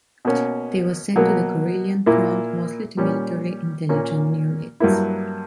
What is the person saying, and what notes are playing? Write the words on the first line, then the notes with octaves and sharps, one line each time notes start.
They were sent to the Karelian front, mostly to military intelligence units.
B2 A#3 C#4
B2 F#3 A#3
A#2 A#3 E4
A#2 G3 C#4
A#2 A#3 C#4
G2 F#3 A#3 E4